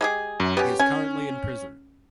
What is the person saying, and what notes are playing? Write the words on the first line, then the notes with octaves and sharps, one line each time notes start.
He is currently in prison.
G#3 G4 G#4
F#2
B3 C#4 G4
C#4 G#5